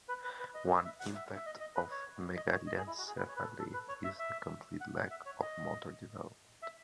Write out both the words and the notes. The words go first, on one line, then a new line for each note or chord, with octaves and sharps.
One impact of megalencephaly is the complete lack of motor development.
B4
B4
B4
D#5
E5
F#5
E5
E5
D#5
D#5
B4
C#5
D#5
C#5
D#5
G#4
E4
F#4
G#4
B4
C#5
B4
A4
A4
B4
C#5
E5
E5
F#5
F#5
E5
C#5
D#5
E5